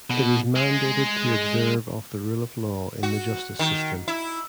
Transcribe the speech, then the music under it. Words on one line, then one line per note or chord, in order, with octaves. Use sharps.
It is mandated to observe of the rule of law in the justice system.
B2
G#3
F#4
D#3
E4